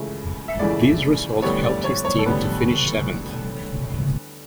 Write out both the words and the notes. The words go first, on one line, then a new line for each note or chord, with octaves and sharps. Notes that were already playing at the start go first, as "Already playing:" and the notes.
This result helped his team to finish seventh.
Already playing: C#2 C#3 E3 A3
E5
C#2 C#3 E3 A3 D5
D2 D3 G3 B3 C#5
D5
C#5
C#5
A4
D2 D3 G3 B3 B4